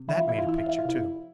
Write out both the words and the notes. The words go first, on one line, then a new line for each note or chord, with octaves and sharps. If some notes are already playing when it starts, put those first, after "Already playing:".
That made a picture, too!
Already playing: C3
E3 E4
F4
C3 E4
F4
E3 E4
F4
F2 E4
F4
C3 E4
F2